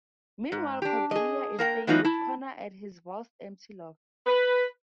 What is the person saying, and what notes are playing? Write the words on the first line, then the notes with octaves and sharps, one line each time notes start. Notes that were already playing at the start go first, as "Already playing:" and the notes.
Meanwhile, Cordelia is staying with Connor at his vast empty loft.
G#2
D4 G4
G#4 D#5
A#3 A#4 F#5 G5
E3 F#3 A3 B3 D#4 F4
E4 A5
B4